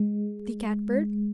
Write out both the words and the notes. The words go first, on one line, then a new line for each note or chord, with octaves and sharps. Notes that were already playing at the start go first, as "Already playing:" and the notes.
The Cat-bird.
Already playing: G#3